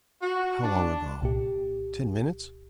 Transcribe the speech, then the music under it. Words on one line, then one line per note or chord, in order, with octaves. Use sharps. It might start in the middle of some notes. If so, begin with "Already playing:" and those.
How long ago? Ten minutes?
F#4
D4
C2 A#2 G4